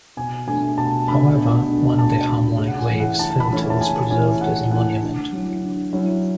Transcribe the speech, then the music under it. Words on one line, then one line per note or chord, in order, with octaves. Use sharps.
However, one of the harmonic waves filter was preserved as a monument.
B2 G#5
A3 D4 G#5
B2 A5
A3 D4 B5
B2
A3 D4
B2 A5
A3 D4 B5
C#3
F#5
G#5
E3 A3 C#4 E4
F#5
C#3 A5
B5
E3 A3 C#4 E4
A5
C#3 G#5
E3 A3 C#4 E4 G#5
C#3 F#5
E3 A3 C#4 E4 F#5
D3
F#3 C#4 E4
D3
F#3 C#4 E4